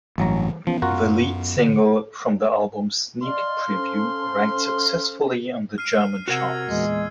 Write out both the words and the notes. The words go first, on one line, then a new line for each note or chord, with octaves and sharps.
The lead single from the album, "Sneak Preview", ranked successfully on the German charts.
A1 G2 E3 F#3 G3 A#5
E3 F3 B3 C#4
F#2 B3 C#4 F4 F#4 A#4
D3
D5 D#5 F5 C6
C#4 A4 C5
F6 C7 D#7
C3 F#4 A#4 F#5 E6 G#6 C7
E2 A#2 G#3